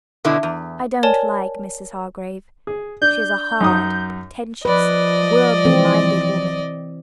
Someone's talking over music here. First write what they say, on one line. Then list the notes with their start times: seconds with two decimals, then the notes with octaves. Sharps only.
I don't like Mrs. Hargrave; she is a hard, pretentious, worldly-minded woman.
0.25 B2 D3 D4 E4
0.43 E2
1.03 A#4 C#5 D5 G#5 A5
2.67 G#4
3.02 D4 G6
3.61 F#2 D#4 D#6
4.65 F3 B4 D5 D#5
5.65 E3 C4